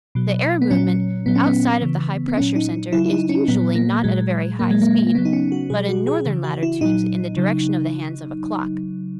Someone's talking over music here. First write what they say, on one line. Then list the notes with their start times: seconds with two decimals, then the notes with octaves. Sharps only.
The air movement outside of the high-pressure center is usually not at a very high speed, but in northern latitudes in the direction of the hands of a clock.
0.15 B2 F#3
0.62 B3
0.71 A#2 F#3 C#4
1.26 A#2 F#3 B3
1.35 C#4
1.46 B3
1.81 C#3 E3
2.28 B3
2.37 A#2 F#3 C#4
2.56 D#4
2.92 C#3 F#3 E4
3.06 E4
3.11 D#4
3.29 C#4
3.48 A#2 F#3 B3
3.75 A#3
4.03 A#2 F#3 G#3
4.59 A#2 F#3 A#3
4.71 G#3
4.81 A#3
5.07 A#3
5.15 C#3 F#3 B3
5.25 D#4
5.33 C#4
5.52 F#4
5.70 B2 F#3 G#4
5.89 F#4
6.07 G#4
6.26 C#3 E3
6.44 F#4
6.63 E4
6.81 A#2 F#3 D#4
7.37 C#3 F#3